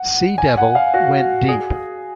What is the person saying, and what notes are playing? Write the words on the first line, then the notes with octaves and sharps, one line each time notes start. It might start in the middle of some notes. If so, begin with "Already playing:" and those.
"Sea Devil" went deep.
Already playing: F#5
G#5
F#5
F5
F#4
G#4